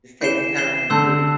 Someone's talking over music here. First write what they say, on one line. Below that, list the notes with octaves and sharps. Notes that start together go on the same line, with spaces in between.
just taking time to,
E3 G6 C7 E7 G7
G6 C7 E7 G7
D3 E6 G6 C7 G7